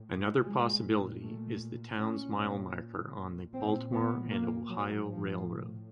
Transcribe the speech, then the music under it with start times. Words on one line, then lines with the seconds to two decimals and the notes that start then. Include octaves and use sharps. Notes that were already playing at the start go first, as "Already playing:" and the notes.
Another possibility is the town's mile marker on the Baltimore and Ohio Railroad.
Already playing: A2
0.44 A#2 G#3
1.21 A3
1.98 A#2 C#4
3.53 A#2 C4
3.91 B3
4.30 A#3
4.70 F#3
5.07 A2 F3